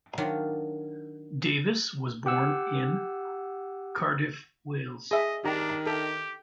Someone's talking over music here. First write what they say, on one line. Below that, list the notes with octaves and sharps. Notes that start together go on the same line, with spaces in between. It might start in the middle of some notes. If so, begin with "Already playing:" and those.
Davis was born in Cardiff, Wales.
D#3 F#3 D4 F4
G4 F#5 E6
G#4 D#5 E5
D#3 D4 G4 A#5
G4 A4